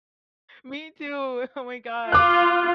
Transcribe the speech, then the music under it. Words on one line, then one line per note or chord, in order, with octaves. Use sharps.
Me too, oh my gosh.
F4 D6 F#6